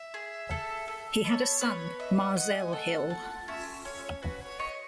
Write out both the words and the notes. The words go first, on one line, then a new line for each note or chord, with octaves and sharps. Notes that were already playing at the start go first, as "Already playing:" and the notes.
He had a son, Marzell Hill.
Already playing: E5
G#4
A4
A4
B3 C#5 D#5
B4
D#5 E5
F#5
D#5 F#5
G#5
A4 F#5
A5
C#4 E5
C#4 C#5
C#5
F#4 B4
C#5
C#5 D#5